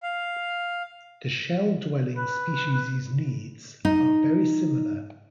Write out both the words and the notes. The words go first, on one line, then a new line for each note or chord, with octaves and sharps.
The shell-dwelling species' needs are very similar.
F5
B4
D#4